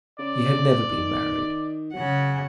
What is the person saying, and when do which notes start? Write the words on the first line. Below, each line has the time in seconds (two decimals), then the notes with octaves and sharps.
He had never been married.
0.19 C#3 D5
0.90 D#3
1.93 C#3 F#3 F#5